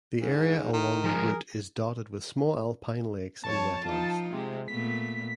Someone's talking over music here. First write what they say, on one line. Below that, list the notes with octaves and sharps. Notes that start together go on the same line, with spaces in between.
The area along the route is dotted with small alpine lakes and wetlands.
G#2
D#3
F3 G#3 G#4 A#4
F2 C#5 A5
F3 D#4 F4
C3 G#3
A#2 A3 B3 B6